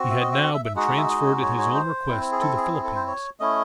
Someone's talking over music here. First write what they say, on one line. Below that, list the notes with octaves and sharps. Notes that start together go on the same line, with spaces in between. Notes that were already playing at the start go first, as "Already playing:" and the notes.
He had now been transferred at his own request to the Philippines.
Already playing: C4 F#4
E5
D#5
E5
F#5
E5
E5
G#3 D#4 F#4 F#5
F#5
E5
D#5
C#5
C#5
C5
C4 E4
G#4
A4
G#4
G#4
A4
C5
C#5
A3 C#4 E4 D#5